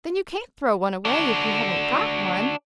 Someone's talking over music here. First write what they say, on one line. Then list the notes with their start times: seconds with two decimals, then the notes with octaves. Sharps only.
"Then you can't throw one away, if you haven't got one."
1.05 D4 F#4